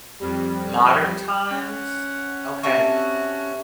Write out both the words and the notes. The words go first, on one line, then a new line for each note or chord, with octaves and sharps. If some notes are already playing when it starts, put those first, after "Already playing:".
modern times? Okay.
F2 G3
C#4 F#5
C3 F#4 A4 E5 C#6